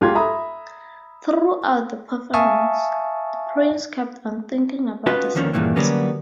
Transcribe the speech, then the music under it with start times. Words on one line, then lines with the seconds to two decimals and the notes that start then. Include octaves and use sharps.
Throughout the performance, the prince kept on thinking about the sights.
0.01 B1 G#2 F4 G4 C6 G#6
0.15 E5 A#5 B5 D#6
2.34 E5 F5 G#5 A5 C#6 D#6
5.06 B3 C#4 D#4 F4 F#4 B4
5.35 D#2 D3 D#3 F3 C#4
5.53 E2 G2 A#2 D#3 E3
5.76 D3 F#3 G3 A#3 B3 C#4